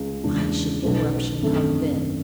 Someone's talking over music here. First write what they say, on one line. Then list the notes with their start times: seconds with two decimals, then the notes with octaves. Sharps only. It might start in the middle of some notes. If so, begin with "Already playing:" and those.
Why should interruption come then?
Already playing: C#2 G#3
0.24 E2 C#3 G#3 D4
0.82 B1 B2 A3 C#4
1.41 G#1 F#2 D3 A3